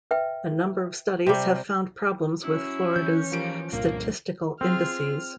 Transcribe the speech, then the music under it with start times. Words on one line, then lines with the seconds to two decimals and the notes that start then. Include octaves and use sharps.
A number of studies have found problems with Florida's statistical indices.
0.11 B4 E5 G5
1.27 C3 G3
2.43 F#3 C#4 E4
2.96 E3 G6
3.32 G#2 F3 G3 A#3 D7
3.73 C2 G2 A#2 A#3
4.61 C4 F4 G#4 F6